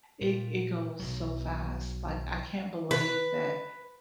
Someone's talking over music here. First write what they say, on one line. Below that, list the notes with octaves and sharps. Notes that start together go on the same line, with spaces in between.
it it goes so fast, like, I can't believe that
A#2
B1 B2 F#3
B4